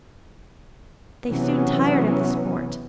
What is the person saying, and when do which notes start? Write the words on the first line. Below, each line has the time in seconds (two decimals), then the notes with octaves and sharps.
They soon tired of the sport.
1.29 C3 E3 F#3 B3 C#4